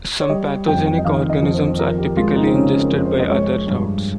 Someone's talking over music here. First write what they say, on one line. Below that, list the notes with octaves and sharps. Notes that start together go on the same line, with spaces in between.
Some pathogenic organisms are typically ingested by other routes.
C#5
G3 D#5
F2 G5
G5
D#5
D#3 F5
D#5
F2
C5
F3 A#4
G4
G#3 F4
D#4
C4
C#3 C#4
A#4
F2
C5
D#5
G#3 C#5
G2